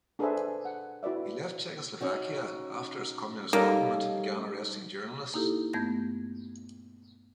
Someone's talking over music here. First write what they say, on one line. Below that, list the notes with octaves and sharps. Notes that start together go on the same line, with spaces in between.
He left Czechoslovakia after its Communist government began arresting journalists.
D4 G#4 A4 B4 C5 E5
F#5
E4 F#4 B4 D5 E5
C#4 D#4 F#4
G3 A#3 C#4 D#4 G4 A4 D#5
A#3 D#4 E4 G4 A4
G2 A3 B3 G6 G#6 A#6